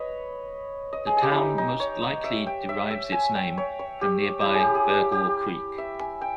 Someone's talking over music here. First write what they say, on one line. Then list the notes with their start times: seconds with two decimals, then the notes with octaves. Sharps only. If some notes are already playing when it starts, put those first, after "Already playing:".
The town most likely derives its name from nearby Burgaw Creek.
Already playing: B4 C#5 D#5
0.93 D#5
1.07 G#4
1.17 G#4
1.22 G4
1.32 D#4 E4
1.58 D#4
1.80 C#5
2.02 D#5
2.24 E5
2.47 G5
2.69 E5
2.91 E5
3.12 G#5
3.35 G5
3.58 C#5
3.79 C#5
4.01 G4
4.41 E4 G4
4.54 G#4
4.60 G4
4.75 G#4
4.89 G4
5.12 G4
5.78 E5
6.00 G#5
6.21 G5